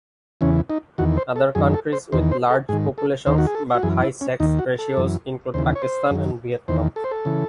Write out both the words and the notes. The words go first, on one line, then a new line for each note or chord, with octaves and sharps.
Other countries with large populations but high sex ratios include Pakistan and Vietnam.
E2 C#3 E3 C#4
D#4
E2 D#3 F#4
C5
A4
F#2 D#3 G#4
A4
C5
E2 D#3 C5
C5
A4
G#2 D#3 G#4
A4
D#2 D#3 C5
F#4
G#4
A4
F#4
F#2 E3 G#4
E4
C#4
D#2 D#3 D#4
F#4
A4
F#2 E3
D#2 C#3 E3 C5
C#5
C5
F#2 D#3
E2 D#3 C5
A4
C5
A4
C#3 E3